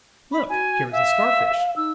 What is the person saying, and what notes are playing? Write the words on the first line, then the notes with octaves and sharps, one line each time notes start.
Look, here is a Starfish!
B5
F#4 G#5
E5 F5
D#4 E6